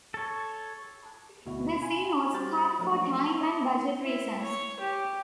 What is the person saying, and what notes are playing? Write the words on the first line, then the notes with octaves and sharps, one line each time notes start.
The scene was cut for time and budget reasons.
A4 C#5
D2 B2 E4 F#4
F4 G#5 B5
G3 F#4 G4 C5 F6 A6
F3 F#3 A3 A#3 D4
C#5 D#5 E5 A5 D6
E4
C#5
G4